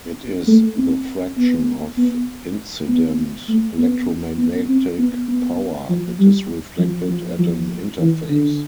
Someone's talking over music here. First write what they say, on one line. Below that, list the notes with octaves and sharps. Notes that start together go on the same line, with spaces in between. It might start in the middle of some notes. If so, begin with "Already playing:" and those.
It is the fraction of incident electromagnetic power that is reflected at an interface.
A3
C4
B3
B3
B3
A3
B3
B3
C4
B3
B3
F3
G3
F3
F3
F3
E3
D3